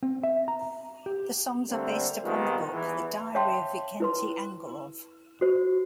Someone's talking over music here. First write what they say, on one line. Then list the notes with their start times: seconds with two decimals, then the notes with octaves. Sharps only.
The songs are based upon the book "The Diary of Vikenty Angorov".
0.03 C4
0.23 E5
0.48 A#5
1.06 G4
1.70 D3 G3 A3 A#3 C4
2.24 A#2 D#3 F3 G3 G#3 B3
2.73 E2 E3
3.35 C#5 E5 F5 G5 A5 C6
4.00 E4 B4 C6
5.41 F#4 C5